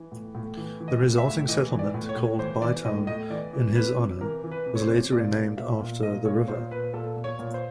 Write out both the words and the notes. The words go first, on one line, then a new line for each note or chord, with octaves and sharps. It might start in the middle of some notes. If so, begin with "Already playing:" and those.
The resulting settlement, called Bytown in his honour, was later renamed after the river.
Already playing: E3
A2
A2
E3
E3
D#5
A2
E5
A2
E3 D#5
E3
D5
A2
C#5
A2
E3 C5
E3 D5
A2 D#5
A2 D#5
E3 D5
E3
C3 B4
C3
E3 A#4
E3
B4
C3
C#5
C5
C3
A#2 D5
A#2
A#2 E5
A#2
A#2 D#5
A#2 C#5
A#2 C5
A#2 B4
A#2 A4
A#2
C#5
A#2
C5